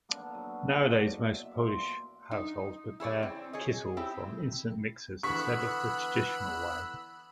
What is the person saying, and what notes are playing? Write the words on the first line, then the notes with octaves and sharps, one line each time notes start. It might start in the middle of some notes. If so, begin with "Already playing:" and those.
Nowadays most Polish households prepare kissel from instant mixes instead of the traditional way.
A#3 B3 D4 A4
F#3
D5
D#5
E5
A#2 C6 D6
D#4
E4 G#4 C#5 D5
C4
G#4 C#5 D#5
C4 E4 G4
D3 E3 B3 B5 C#6 E6 F#6 B6